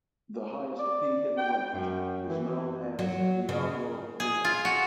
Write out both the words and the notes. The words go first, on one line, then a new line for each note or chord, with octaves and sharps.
The highest peak in the range is known as Diablo Rim.
D5
G5
F#2
E3
F#3
C#3
G#4
F4
F#4